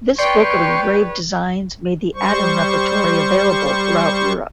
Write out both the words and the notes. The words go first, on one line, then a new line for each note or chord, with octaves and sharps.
This book of engraved designs made the "Adam" repertory available throughout Europe.
B4 C#5 D5 G5 C6 C#6
G3 C5 C#6